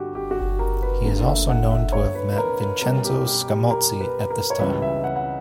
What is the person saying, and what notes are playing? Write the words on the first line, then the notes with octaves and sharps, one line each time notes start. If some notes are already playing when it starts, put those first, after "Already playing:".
He is also known to have met Vincenzo Scamozzi at this time.
Already playing: G2 D3 F#4 G4
G4
F#4
G4
A#4
B4
D2 D3 A#3
E5
F#5
E5
C#5
B4
B4
A#4
B4
B2 G3 C#4 A#4
G4
G4
G4
A#4
B4
A#4
C#5
C#2 C#3 E3 G3 C#4 B4
E5
F#5
F#5